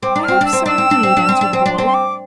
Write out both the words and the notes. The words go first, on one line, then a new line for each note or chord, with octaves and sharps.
'I hope so, indeed,' answered the boy.
C4 D6
D4
C4 F6
D4 E6
C4
D4 E6
C4
D4
C4
D4
C4
D4
C4
D4
C6
C4
C6
D6